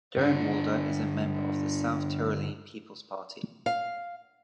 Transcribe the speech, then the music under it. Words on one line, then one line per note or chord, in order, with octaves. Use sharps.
Durnwalder is a member of the South Tyrolean People's Party.
G2 D3 D4
F5